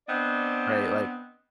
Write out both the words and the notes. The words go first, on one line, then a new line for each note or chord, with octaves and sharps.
right, like,
B3 C4 D4 D5 D#5